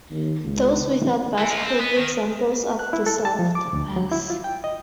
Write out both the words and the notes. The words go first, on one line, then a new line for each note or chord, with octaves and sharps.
Those without bars could be examples of dissolved bars.
D#2
C#2
E3 E4
G#3 F4
C4
B3
D#3
F#6
E4
A4
A5
F3
D6
D2
F#3
E4
F4
G5
D#5